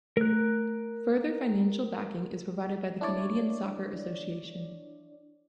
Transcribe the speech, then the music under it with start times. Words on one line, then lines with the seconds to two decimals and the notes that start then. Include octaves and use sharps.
Further financial backing is provided by the Canadian Soccer Association.
0.17 A3 A#4 F#6
3.01 D4 E4 C#5 D5